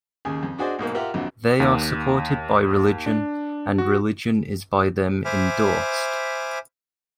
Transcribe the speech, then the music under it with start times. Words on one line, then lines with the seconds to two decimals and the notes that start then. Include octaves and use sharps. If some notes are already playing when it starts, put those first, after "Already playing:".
They are supported by religion; and religion is by them endorsed.
0.25 D#2 C#3 G#4
0.43 F2
0.58 D4 F#4 G#4 C5 D5 D#5
0.79 B1 G#2 A#3
0.95 F4 G4 A#4 E5 F#5
1.14 A#1 F2 D3 F#3
1.60 D#2
3.06 D4
3.78 F#4
5.25 C5 E5 G#5 B5 D6 F6